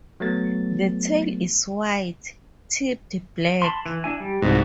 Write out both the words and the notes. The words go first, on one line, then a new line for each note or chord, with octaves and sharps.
The tail is white, tipped black.
F#3 A3 B3 A6
A5 B5 C6
E3
D4 E4 G#5
G3
C2 G#2 F#4